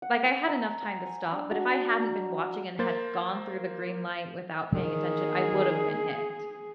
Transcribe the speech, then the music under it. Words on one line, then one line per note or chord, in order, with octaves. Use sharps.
like, I had enough time to stop, but if I hadn't been watching and had gone through the green light without paying attention I would've been hit.
F#5
C5
A#5
E6
G#5
D4
F#4
A#5
A#3 C5 A6
D#3 G#4